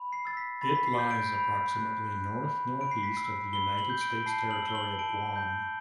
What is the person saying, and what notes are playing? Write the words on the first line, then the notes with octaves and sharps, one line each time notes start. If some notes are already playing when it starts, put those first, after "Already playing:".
It lies approximately north-northeast of the United States territory of Guam.
Already playing: B5
C7
E6 A6
B6
B5 A6
B6
C7
G6
D7
B5
F#6
F#6
B5
B5 D7
C7
B6
E6 C7
B5 G7
F#7
G6
D7
A5 C7
F#7
E6
G7
F#7
A5 D7
G6